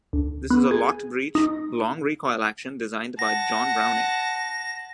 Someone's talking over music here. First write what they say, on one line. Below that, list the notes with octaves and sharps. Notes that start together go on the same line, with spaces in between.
This is a locked-breech, long recoil action designed by John Browning.
D2
B3
G#4
D#4
F#5 A5 A#6